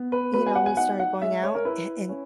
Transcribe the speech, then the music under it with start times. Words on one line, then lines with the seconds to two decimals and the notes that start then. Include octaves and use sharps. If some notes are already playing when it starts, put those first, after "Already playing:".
you know, we started going out a and
Already playing: B3
0.12 B4
0.34 F#3 B4
0.47 G#5
0.55 F#5
0.66 G#5
0.77 D#4 F#5
1.00 F#5
1.22 G#3 E5
1.43 C#5
1.55 A#4
1.65 E4 B4
2.09 C#4